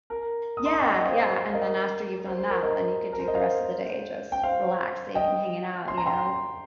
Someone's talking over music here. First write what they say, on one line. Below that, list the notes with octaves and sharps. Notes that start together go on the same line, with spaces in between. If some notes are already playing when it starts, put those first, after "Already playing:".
Yeah. Yeah. And then after you've done that, then you could do the rest of the day just relaxing and hanging out, you know?
A#4
D#6
C6
A#5
D#5 G5
D#5 G5
C5 F5
F5
A#4 D#5
C5
C5
A#4
A#4 D#5
A#4
C5
D#5
C5 F5
G5
C5 F5
D#5 G5
C6
A#5
G5 C6